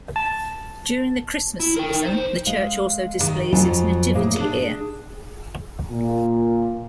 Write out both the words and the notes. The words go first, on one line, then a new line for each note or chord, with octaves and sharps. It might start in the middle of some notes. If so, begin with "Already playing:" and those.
During the Christmas season, the church also displays its Nativity here.
A5
E4
A#4 G5
D#4
E2 C5
G#3 F5
E2 D#3
F2 F#3 F4 G#5 A5
A2 A#3 G#4
D4 G#4
A#2